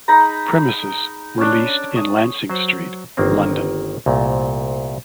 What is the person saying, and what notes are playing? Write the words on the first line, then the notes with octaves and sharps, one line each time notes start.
Premises were leased in Lancing Street, London.
D#4 G#4 A#5 B5
C#4 D4
D#6
F#3 C5
G1 D#3 A#3 C4
C2 A#2 A3